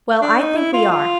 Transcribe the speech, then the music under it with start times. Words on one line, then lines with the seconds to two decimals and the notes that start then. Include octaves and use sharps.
Well, I think we are.
0.22 D4
0.39 D#4
0.57 E4
0.74 F4
0.91 F4